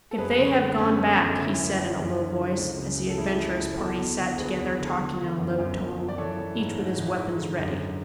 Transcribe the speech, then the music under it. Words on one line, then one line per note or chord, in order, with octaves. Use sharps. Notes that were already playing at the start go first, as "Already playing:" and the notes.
"If they have gone back," he said, in a low voice, as the adventurous party sat together talking in a low tone, each with his weapons ready.
A4
F#2 G#4 B4
D3
D3
B3
F#2 A3 C#4
F#2
F#2
D3 C#4 E4
F#2
F#2
F#2
D3
D3
C#2
C#3
E3
A4
C#2 E4 G#4
E3
C#2
E2 F#4 A4
E2
D3
E2 G#4 B4
E2
D3
D3
D3
F#2
F#2
F#2
F#2
D5
E3 A4 C#5
E3
G#2
G#2
E3
G#2
D3
F#2
D3